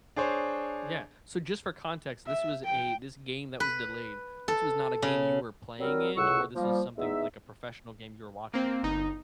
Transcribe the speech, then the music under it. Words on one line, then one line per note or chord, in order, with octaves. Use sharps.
Yeah. So, just for context, this was a this game that was delayed, this was not a game you were playing in? Or this is something like a professional game you're watching?
D4 G#4 C5 C#5
E5
G5
B4
A4
C#3
F#3 G3 C4 A#4
C#2 A2 C3 F#5 C#6 E6
F3 G3 A#3
E2 G#3 B3 D#4 E5
A#3 C4
G1 D#4